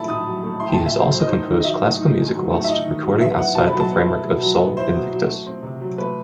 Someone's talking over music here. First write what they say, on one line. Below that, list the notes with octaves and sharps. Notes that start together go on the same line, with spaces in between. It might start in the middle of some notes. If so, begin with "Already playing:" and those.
He has also composed classical music whilst recording outside the framework of Sol Invictus.
Already playing: F#3 A3 E4 A5 B5
A2 D#6
F#3
A3
E4 C6
G5
A5
A2
E5
F#3 C5
A3 C5
D#5
D#4 C5
D#3
D#5
F#3 E5
A3
D#4
D#3
F#3
A3
E5
D#4 D#5
D#3
F#3
B3 E5
E4 F#5
B2 A5
B5
F#3
A5
B3
E4
B2
F#3
B3
E4 C5
B2
F#3
A3
C4
C3
F#3
A3 B4